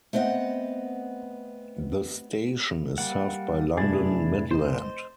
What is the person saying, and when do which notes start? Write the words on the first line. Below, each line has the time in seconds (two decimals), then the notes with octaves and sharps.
The station is served by London Midland.
0.13 A3 B3 C4 D#5 F#5
2.98 G3 A#3 F#5
3.77 F1 D4 E4 G#4 A6
4.51 C5 D#5